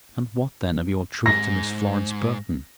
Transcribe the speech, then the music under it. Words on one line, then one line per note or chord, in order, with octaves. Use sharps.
"And, what, then, of your truth to Miss Florence Burton?"
G#2 A#6